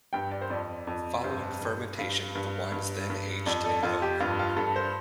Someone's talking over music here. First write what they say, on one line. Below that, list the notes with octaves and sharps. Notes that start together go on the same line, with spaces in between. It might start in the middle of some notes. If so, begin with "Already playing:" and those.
Following fermentation the wine is then aged in oak.
G2 G5
D5
C5
F2 D5
F2
G2 C5
G2
G2 F5
G2
G2
G2
F2 D5
A4
F2 F4
G4
G2 F4
F4
G2 A4
C5